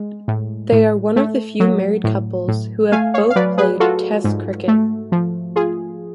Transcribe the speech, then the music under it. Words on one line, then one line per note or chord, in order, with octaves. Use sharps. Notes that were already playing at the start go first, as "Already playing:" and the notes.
They are one of the few married couples who have both played Test cricket.
Already playing: G#3
A2
A2
A3
F#3
A2
A2
A3 F5 G#5
C#5 F5
F5
F#3 B4 D5
G#4 B4
F4 F#4 A4
G#2
A3
F3
F4 G#4